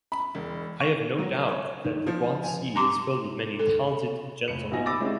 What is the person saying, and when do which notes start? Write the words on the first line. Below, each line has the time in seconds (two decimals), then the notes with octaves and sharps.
I have no doubt that the Guanxi is filled with many talented gentlemen.
0.12 B5
0.35 E1
0.80 C#6
1.19 F#3
1.48 C#5
1.84 D#3
2.07 F3
2.43 G#5
2.75 C4 A#5 C6 D6
3.59 A4
4.48 F1 C#7
4.71 A#1 B2 D#4 G#5 A#6
4.86 B5 D6 E6 A6 A#6
5.00 G3 G#3 C4 C#4 E4 F4